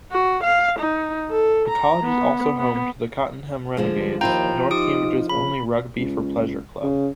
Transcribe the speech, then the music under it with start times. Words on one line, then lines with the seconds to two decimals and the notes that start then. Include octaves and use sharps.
The college is also home to the Cottenham Renegades, north Cambridge's only rugby-for-pleasure club.
0.12 F#4
0.44 F5
0.80 D#4
1.30 A4
1.69 A#5
2.04 B3
2.59 B3
3.77 D3 F3 G#3
4.21 D#2 F3 E4 F4 G5 A#5 G6
4.71 D#4 G4 D#6 D7
5.29 C#3 B5
5.98 C#2
6.83 C#3